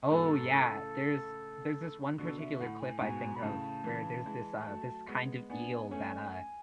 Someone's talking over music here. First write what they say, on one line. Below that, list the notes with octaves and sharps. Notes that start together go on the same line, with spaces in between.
Oh, yeah. There's there's this one particular clip I think of where there's this, uh this kind of eel that, uh
G#2 B2 A4
A2 C#3
B2 D3 A4
E5
A2 F#5
G#5
G#2 B2 G#5
B5
A2 C#3 A5
C#3 E3
E3 G#3
G#5
F#3 A3 A5
G#3 B3
B3 D4 G#5
A3 C#4 G#5
G#5